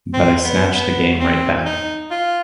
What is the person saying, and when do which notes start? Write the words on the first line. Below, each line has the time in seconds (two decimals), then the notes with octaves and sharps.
But I snatch the game right back.
0.13 C4
0.44 B3
0.74 B3
1.20 C4
1.66 D#4
2.11 F4